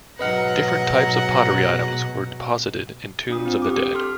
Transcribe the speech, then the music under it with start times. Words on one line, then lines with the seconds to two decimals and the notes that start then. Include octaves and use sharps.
Different types of pottery items were deposited in tombs of the dead.
0.19 G#2 B2 F#3 B4 D#5 F#5 A#5 F6
3.29 D4 F4 D#6
3.45 C4
3.62 G4 D6
3.94 A4 C6 F6